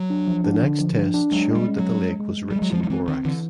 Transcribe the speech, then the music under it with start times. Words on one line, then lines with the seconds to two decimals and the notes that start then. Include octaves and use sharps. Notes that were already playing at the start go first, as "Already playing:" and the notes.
The next test showed that the lake was rich in borax.
Already playing: F#3
0.10 D4
0.27 F3
0.44 D4
0.63 D3
0.80 F3
0.97 D4
1.14 D4
1.32 F#3 G#3
1.50 G#3
1.56 G3
1.68 C#4
1.79 F#3
1.84 G#3
2.03 G#3
2.20 G#3
2.37 G#3
2.51 G3
2.56 G#3
2.62 F#3
2.73 F3 G#3
2.83 F3
2.90 E3 C4
3.08 D#3 C4
3.25 D3 E3